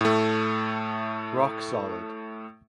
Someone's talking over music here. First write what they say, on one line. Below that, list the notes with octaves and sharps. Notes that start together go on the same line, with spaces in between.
Rock solid.
A2 A3